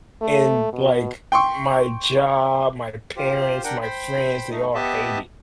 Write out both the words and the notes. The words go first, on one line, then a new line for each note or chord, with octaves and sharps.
And like, my job, my parents, my friends, they all hate it.
A3
B2
G5 C6 C#6
F4 G4 C5
D4 A#4 F#5 G5
C5 G5 B5
A3 D#4
B3 G4 D#5 E5 A5